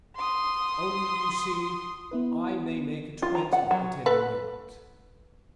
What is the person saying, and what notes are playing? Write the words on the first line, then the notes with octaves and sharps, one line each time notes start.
"Only, you see, I may make a twenty at any moment."
C6 D#6
B3 E4 B4
F4
A#5
F#5
F#3
A4 B4 F#5